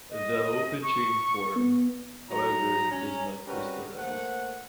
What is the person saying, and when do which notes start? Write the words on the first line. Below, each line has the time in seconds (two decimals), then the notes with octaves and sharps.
The open-chain form, however, does not crystallize.
0.11 D#5
0.83 C#6
1.56 B3
2.29 F#3 D#4 A#5
2.90 C#4 A#5
3.46 C3 G3 C#4 F#4 A#4 B4
3.96 A3 A#3 C5 F#5